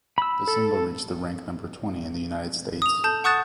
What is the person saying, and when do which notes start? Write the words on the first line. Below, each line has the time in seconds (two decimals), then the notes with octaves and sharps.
The single reached the rank number twenty in the United States.
0.18 B5 E6
0.47 A4
2.82 D#6 F7
3.04 A4 A5 G6
3.24 F#5 C#6 D#6 F#6 A6 E7